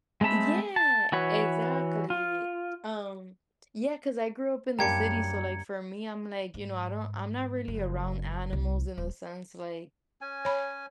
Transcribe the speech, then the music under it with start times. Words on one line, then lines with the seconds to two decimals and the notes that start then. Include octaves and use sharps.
Yeah, exactly, um, Yeah, 'cause I grew up in the city. So, like, for me, I'm like, you know, I don't I'm not really around animals in a sense, like,
0.21 G#3 A3 C4 A5 B5
0.76 A5
1.12 E3 F#4 B4 C#5
2.10 F4
4.79 F#2 G3 A#3 D4 A#5 G#6 C#7
6.54 G#2
7.68 F#1
8.53 C2
8.98 D#1
10.21 C#4 G#5
10.45 C#5 B5